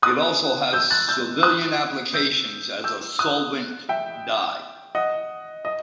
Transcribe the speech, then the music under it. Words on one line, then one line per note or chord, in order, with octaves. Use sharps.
It also has civilian applications as a solvent dye.
D#6 F#6
E6 G6
F#6 A6
E6 G6
D#6 F#6
E6 G6
E6 G6
D#6 F#6
E5 G5
D#5 F#5
D#5